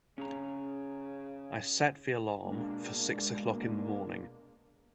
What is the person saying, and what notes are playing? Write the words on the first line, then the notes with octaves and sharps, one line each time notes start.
I set the alarm for six o'clock in the morning.
C#3 C#4 G#4 A#5
B2 G#3 A#3 D4